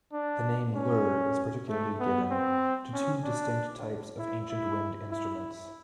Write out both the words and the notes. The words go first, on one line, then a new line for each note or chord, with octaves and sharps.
The name lur is particularly given to two distinct types of ancient wind instruments.
D4
C#4
A3
B3
C4
C#4
D4
E4
E4
E4